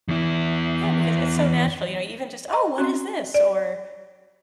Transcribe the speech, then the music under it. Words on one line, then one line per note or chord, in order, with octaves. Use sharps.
Yeah, because it's so natural, you know? Even just, "Oh, what is this?" or,
E2 E4
D#5 A#5 C#6
C4 C#4 F#4
D5